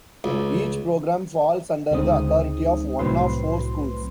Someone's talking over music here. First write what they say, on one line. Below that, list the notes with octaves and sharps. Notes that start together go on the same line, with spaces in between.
Each program falls under the authority of one of four Schools.
C#2
D2 C#3 G#3 C4 D#4 D#6
C2 A2 F#3 C4 B4 C6